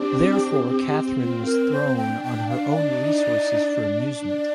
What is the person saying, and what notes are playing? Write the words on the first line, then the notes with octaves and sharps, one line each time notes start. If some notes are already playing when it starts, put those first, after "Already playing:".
Therefore Catherine was thrown on her own resources for amusement.
Already playing: C4 D4 G4
C4 F4
A#4
C5
D4 G5
G5
F5
D#4 D5
D4
D5